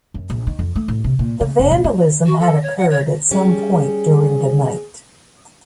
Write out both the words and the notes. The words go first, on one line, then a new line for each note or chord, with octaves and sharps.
The vandalism had occurred at some point during the night.
F#2
A#1
D#3
F2
A3
A2
C3
A#2
C#3
F1
A#1
C4
F#4
A4
C#5
F#5
C#5
G3 C#4 G#4